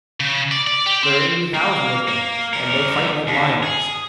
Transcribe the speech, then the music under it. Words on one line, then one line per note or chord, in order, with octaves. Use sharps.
There are eighty thousand of them and they fight like lions.
C#3
D5
D5
G4
C4
A#3
A#3
E2 A#4
D#2
G#4